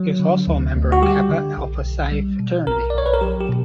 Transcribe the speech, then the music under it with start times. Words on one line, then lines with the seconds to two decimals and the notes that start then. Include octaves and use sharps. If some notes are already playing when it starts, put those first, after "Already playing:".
He is also a member of Kappa Alpha Psi fraternity.
Already playing: F#3
0.20 D3
0.47 D2
0.75 D2
0.92 F#4
1.02 G3 G4
1.30 D3
1.57 B1
1.85 B1
2.12 G3
2.40 B2
2.67 B1 A#4
2.90 D5
2.94 B1 C#5
3.06 B4
3.14 A#4
3.21 F#3 G4
3.41 G4
3.49 B2